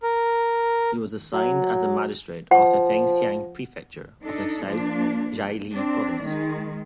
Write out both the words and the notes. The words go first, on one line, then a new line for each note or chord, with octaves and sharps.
He was assigned as the magistrate of the Fengxiang Prefecture of the South Zhili Province.
A#4
F#3
F3 F#5
D4 D#4 A4
F3 A#3 D4
C4 D4
D#3 G#3